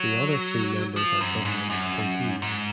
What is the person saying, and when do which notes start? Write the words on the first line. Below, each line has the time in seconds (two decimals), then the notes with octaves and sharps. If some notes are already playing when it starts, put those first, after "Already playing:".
The other three members are government appointees.
Already playing: F#3
0.96 F3
1.21 F#2
1.45 G#2
1.70 F#2
2.42 G#2